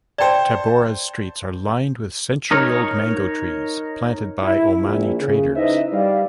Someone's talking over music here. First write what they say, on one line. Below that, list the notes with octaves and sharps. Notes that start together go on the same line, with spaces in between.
Tabora's streets are lined with century-old mango trees planted by Omani traders.
C5 D5 G5 A5
D#4 A#4 C#5
E4
A#1
C#3
D#4 E4 B4 C5 D#5 E5
G3 D5 F5